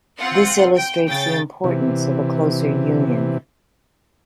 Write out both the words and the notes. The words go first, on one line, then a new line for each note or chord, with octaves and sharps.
This illustrates the importance of a closer union.
C4 F4 F#5
G5
C#3 G5 A6
C3 E3